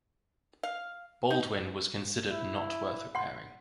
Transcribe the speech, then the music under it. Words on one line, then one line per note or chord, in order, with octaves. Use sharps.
"Baldwin" was considered not worth repairing.
F5
D#4
E4
F#5 C6